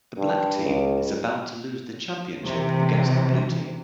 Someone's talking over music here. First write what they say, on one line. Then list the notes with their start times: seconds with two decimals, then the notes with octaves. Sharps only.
The black team is about to lose the championship against the blue team.
0.18 G2
0.64 C#2
2.44 C3 E3